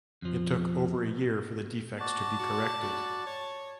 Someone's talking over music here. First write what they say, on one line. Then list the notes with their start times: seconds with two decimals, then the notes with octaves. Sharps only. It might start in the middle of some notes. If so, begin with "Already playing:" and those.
It took over a year for the defects to be corrected.
0.22 F2 F3
2.00 F#4 D5 A5
2.39 F#4 D5
2.82 F#4
3.26 C#5